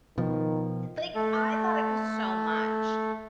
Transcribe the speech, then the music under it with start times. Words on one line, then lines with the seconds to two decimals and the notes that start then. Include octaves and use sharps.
Like, I thought it was so much,
0.18 B2 D#3 F3
1.15 A3 A4